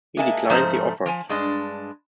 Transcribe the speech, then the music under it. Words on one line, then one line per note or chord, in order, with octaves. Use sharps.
He declined the offers.
G#3 A#3 E5 G#5 A5
G#2 F3 A3 C#4 C5 A#5
F3 G#5
G2 G#3 D4